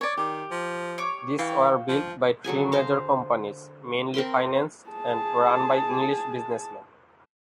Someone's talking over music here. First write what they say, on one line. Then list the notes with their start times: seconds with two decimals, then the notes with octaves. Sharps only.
These were built by three major companies, mainly financed and run by English businessmen.
0.01 C#5 D5
0.17 D#3 G4
0.51 F3
0.98 C#5 D6
1.39 E3 F5 G5 C#6
1.88 F3
2.44 D3 F#3 G#4 G#5
2.72 C5 F5 A#5
4.14 C4 A#4 B5 C6
4.90 G#4 A5